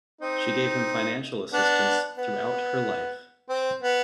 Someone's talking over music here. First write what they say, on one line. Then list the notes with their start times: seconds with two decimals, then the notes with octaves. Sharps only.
She gave him financial assistance throughout her life.
0.21 C4 D#4
1.53 B3 D4
2.18 B3
3.49 C4
3.82 B3